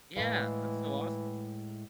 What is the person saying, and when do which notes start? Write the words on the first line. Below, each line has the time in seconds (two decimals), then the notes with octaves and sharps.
Yeah, that's so awesome.
0.17 A2 E3 G#3 F5